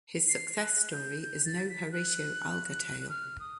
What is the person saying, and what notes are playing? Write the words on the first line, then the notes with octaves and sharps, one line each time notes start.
His success story is no Horatio Alger tale.
C7
F#6
G6
G6
A6
B6
F#6
F#6
F6
D#6